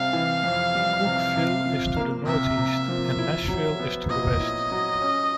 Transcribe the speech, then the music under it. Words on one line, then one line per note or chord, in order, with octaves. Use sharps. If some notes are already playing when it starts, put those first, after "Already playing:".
Cookeville is to the northeast, and Nashville is to the west.
Already playing: C3 G3 F5
E3
F2
G3
C3
C3
F3
A#3
C3 E5
C3
F3
E4
F#3
B3
A#2 D#5
E4
F#3
C#4